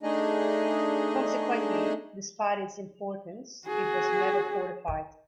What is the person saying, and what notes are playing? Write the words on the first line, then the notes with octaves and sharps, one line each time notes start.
Consequently, despite its importance, it was never fortified.
A3 D4 D#4 G#4 D#5
F#4 G#4